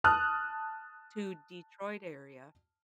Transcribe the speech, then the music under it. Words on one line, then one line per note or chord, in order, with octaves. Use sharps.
to Detroit area,
A5 D#6 F6 F#6